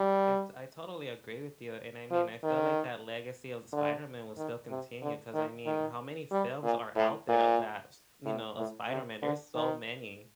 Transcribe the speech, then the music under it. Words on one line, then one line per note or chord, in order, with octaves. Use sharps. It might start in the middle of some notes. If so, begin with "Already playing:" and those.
It I totally agree with you, and I mean, I feel like that legacy of the Spider-Man will still continue 'cause I mean, how many films are out there of that s you know, of Spider-Man? There's so many.
Already playing: G3
F3
D#3
D3
D#3
C3
D3
D#3
D#3
G3
A#2
A2
A#2
A2
A2
C3
D3
D#3